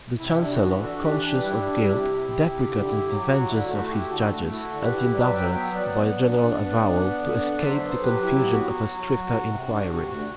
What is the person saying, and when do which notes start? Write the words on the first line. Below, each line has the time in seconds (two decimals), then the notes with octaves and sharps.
The chancellor, conscious of guilt, deprecated the vengeance of his judges, and endeavored, by a general avowal, to escape the confusion of a stricter inquiry.
0.19 C3 E4
0.39 D4
0.44 G4
0.50 F#4
0.60 E3
0.80 D4 F#4 A4
1.01 E3 G4 B4
1.21 D4 G4 B4
1.42 G3 E4 G4
1.63 D4
1.84 C3
2.04 C3
2.24 C3
2.45 C3
2.65 D3
2.86 E4
3.07 F#3
3.18 G4
3.27 F#3 F#4
3.48 D3 E4
3.68 A3 F#4
3.89 E4 G4
4.10 D3 F#4 A4
4.30 A3
4.51 E4 F#4 A4
4.71 D3
4.82 G4 B4
4.92 E4
5.13 F#3 B4 D5
5.33 F#3 E5 G5
5.54 B3 E5 G5
5.74 F#3 D5 F#5
5.95 B3
6.16 D4
6.37 D4
6.57 B3
6.77 D4
6.98 B3 D5 F#5
7.19 D3
7.29 D5 F#5
7.40 D4
7.60 F#3 C5 E5
7.80 B3 A4 C5
8.01 F#3 G4 B4
8.22 F#3 E4 G4
8.43 B3
8.53 F#4
8.63 F#3
8.83 F#3
9.04 F#3
9.24 F#3
9.45 C3
9.66 D4
9.86 C3
10.07 D2 F#4